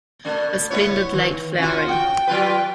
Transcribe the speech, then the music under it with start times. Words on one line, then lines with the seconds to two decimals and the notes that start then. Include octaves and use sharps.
A splendid late flowering.
0.25 B2 A3 D4
0.70 B3 E4 C#5
1.13 D#3
1.58 C#4 F4 F#4
1.88 G5
2.27 F#3 F4 B4